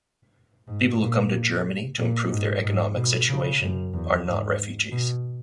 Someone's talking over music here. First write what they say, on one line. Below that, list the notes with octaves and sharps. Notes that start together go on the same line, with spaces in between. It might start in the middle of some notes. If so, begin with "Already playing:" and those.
People who come to Germany to improve their economic situation are not refugees.
G#2
A#2
A#2
G#2
G#2
B2
C#3
F#2
E2
G#2
B2